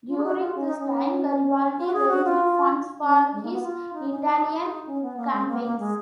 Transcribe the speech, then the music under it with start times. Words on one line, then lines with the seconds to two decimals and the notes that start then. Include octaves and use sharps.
During this time Garibaldi raised funds for his Italian campaigns.
0.08 F4
0.18 G#4
0.24 F#4
0.39 F4
0.55 C#4
0.67 D#4
0.79 C#4
1.77 F4
1.86 F#4
1.93 G#4
2.08 F#4
2.25 F4
3.02 C#4
3.33 G#3
3.43 A#3
3.53 B3
3.63 F4
3.93 D#4
4.10 C#4
4.24 D#4
4.87 C#4
5.02 B3
5.17 A#3
5.33 G#3
5.47 A#3
5.63 A#3
5.79 G#3